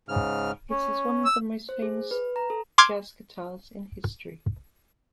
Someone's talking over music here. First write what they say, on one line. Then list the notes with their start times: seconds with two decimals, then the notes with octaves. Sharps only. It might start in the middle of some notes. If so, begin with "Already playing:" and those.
It is one of the most famous jazz guitars in history.
0.09 G#2 C#3 F6
0.70 C#4
1.25 E6
1.69 C5
1.82 G#4
2.11 B4
2.36 A#5
2.50 A4
2.78 C6 D6 F6 G#6